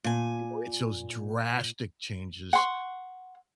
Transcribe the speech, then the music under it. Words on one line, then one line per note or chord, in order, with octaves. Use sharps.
you know, it's those drastic changes
A#2 G#5
F#5 C6 C#6